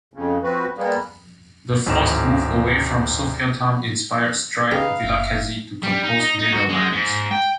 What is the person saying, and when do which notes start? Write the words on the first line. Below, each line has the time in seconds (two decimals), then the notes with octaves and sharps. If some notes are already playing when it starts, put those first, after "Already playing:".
The forced move away from Sophiatown inspired Strike Vilakezi to compose "Meadowlands".
0.14 F2 C#3
0.43 F3 C4 F#4 B4
0.77 G3 G#3 A#3 B3
1.86 G#1 D2 A2 D#4 A#5 E7
4.71 C#3 D#4 G4 B4 F5 A#5
5.03 F#1 E5
5.83 G3
6.04 D#4
6.20 D#4
6.39 D#4
6.52 F#4
6.69 G#3
6.92 G#2
7.31 G5